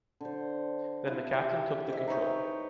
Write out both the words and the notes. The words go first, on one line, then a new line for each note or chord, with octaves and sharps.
Then the captain took the control.
D3 C5
E4 F4
G4 C#5
G#4 C5 D#5 E5
D#4 B4 C#5 G5